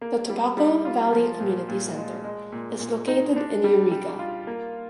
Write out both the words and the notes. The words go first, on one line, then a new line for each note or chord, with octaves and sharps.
The Tobacco Valley Community Center is located in Eureka.
A#3
G3
G3
F4
F3
A#2
A#2
G#3
G#3
A#2
A#2
D#4
D4
G3
G3
F4
A#3